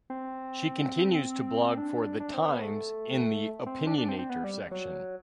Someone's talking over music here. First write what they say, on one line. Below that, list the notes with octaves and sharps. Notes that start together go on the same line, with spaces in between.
She continues to blog for "The Times" in the "Opinionator" section.
C4
D4
D4
C4
B3
A3
C4
D4
D4
C4
C4
B3
G3
F#3